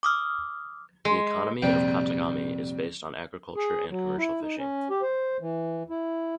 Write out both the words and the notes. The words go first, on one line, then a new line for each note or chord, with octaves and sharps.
The economy of Katagami is based on agriculture and commercial fishing.
D6 D#6 F6
G#3
A#1 F2 C3 G3 C4 G5
G#4
F#3
E4
D#4
C#4
G4
C5
E3
E4